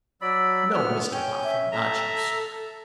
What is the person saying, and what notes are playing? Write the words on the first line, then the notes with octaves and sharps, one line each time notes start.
'No, Mr Boffin, not you sir.
F#3 D5 B5 E6
D2 B3 F6
C#4 G5 G6
E5
A4 E5 A#5